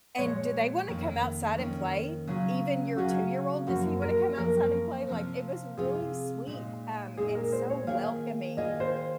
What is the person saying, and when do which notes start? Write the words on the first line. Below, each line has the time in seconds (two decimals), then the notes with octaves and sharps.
And do they wanna come outside and play? Even your two-year-old, does he wanna come outside and play?" Like, it was really sweet, um, and so welcoming
0.18 A#2 F3 G#3 C#5
0.88 F2 D#3 A#3 C#4
1.58 F2 D#3 A#3 C#4
2.27 C#3 F#3 C#4 F4 G#4
2.97 C#3 F#3 C#4 F4 F#4 G#4
3.67 F#2 F3 A#3 F#4
4.02 A#4
4.37 F#2 F3 A#3 A#4
5.07 C3 F3 C4 F4
5.77 C3 F3 C4 F4 G#4
6.47 A#2 G#3 D#4
7.17 A#2 G#3 D#4 G#4
7.35 A#4
7.52 C5
7.70 C#5
7.87 D#3 A#3 F4 G#4 F5
8.57 D#3 A#3 F4 G#4 D#5
8.80 C5